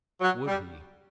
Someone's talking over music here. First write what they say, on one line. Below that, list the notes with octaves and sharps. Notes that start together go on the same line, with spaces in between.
Would he!
F#3
G3